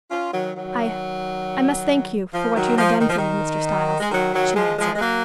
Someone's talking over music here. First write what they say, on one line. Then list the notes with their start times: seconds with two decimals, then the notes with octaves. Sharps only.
"I--I must thank you for what you have done for me, Mr. Styles," she answered.
0.11 C#4 F4
0.33 D#3 F#3
0.55 D#3 F#3
2.33 F3
2.56 D#3 F#3
2.78 F3
3.00 D#3
3.10 F3
3.18 D#3
4.00 G#3
4.12 D#3 F#3
4.34 D#3 F#3
4.56 F3 G#3
4.78 F3 G#3
4.95 G#3
5.01 F#3 A#3